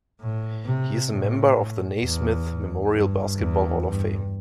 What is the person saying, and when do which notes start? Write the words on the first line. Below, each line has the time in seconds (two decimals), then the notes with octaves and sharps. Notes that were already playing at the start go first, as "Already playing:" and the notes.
He is a member of the Naismith Memorial Basketball Hall of Fame.
0.20 A2
0.65 C3
1.11 A2
2.02 E2
2.93 G2
3.38 E2
3.84 G2